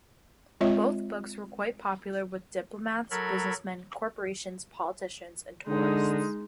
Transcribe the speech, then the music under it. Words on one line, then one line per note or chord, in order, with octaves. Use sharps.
Both books were quite popular with diplomats, businessmen, corporations, politicians and tourists.
G#3 C4 F4 C#5 D#5 E5
F#3 A4 A#4 B5 F6 G#6
D3 G#3 D#4